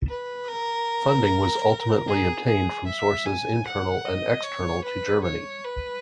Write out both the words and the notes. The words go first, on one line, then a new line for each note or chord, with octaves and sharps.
Funding was ultimately obtained from sources internal and external to Germany.
B4
A#4
G#4
G#4
E5
G#5
F#5
D#5
C#5
B4
C#5
B4